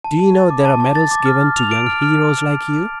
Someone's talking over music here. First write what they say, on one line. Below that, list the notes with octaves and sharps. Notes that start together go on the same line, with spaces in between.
"Do you know there are medals given to young heroes like you?"
A5
A5
A6
D6
A5
A5
A6
D6
F6
F6
F7
D7
F6
F6